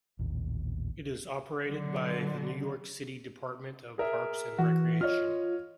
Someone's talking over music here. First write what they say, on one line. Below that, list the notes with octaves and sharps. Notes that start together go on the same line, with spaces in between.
It is operated by the New York City Department of Parks and Recreation.
A1 D#2 A#2
D3 F#3
G#4 A#4 E5
E3 F#4
F4 C#5 D#5 F6